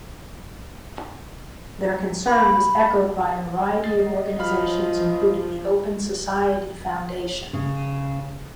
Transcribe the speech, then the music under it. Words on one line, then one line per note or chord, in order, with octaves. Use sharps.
Their concern was echoed by a variety of organizations including the Open Society Foundation.
B5
D#5 A6 C7
F3 F5 B5 F6
C#3